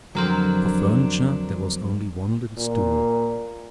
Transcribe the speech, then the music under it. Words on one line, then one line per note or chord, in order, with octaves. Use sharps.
For furniture there was only one little stool.
F2 D3 F#3 D4 A#4 C5
A#2